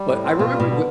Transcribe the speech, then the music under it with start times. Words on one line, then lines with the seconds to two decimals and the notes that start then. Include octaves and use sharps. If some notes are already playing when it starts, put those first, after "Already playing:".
But I remember the
Already playing: G3
0.09 A2
0.24 C4
0.39 B2 F4
0.54 G3
0.60 B2
0.70 D3